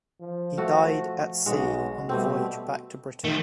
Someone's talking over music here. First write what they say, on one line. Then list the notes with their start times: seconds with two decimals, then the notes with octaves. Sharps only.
He died at sea on the voyage back to Britain.
0.21 F3
0.58 A3 F#4
1.46 B1 G#3 F#4
2.09 B2 G3 A3 C4
3.24 D#3 F3 A3